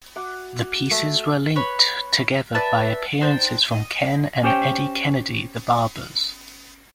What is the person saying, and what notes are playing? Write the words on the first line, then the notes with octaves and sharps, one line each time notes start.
The pieces were linked together by appearances from Ken and Eddie Kennedy The Barbers.
F#4 F#5 D6
A3
B4 C#5 B5
B4 D5 E5 A5
D4 D#4 C5 G5
D#5
C#4 G4 C5 C#5 G5